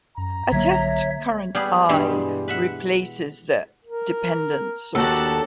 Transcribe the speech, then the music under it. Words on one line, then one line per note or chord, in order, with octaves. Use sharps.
A test current "i" replaces the dependent source.
F#2 A#5
B1 D3 F#3 A#3 C#5 E5
G3 B3 G#4
G2 B2 E3 G3 G#3
B4 E5 F#5
A#4
D#2 D4 F#4 G4 A4 A5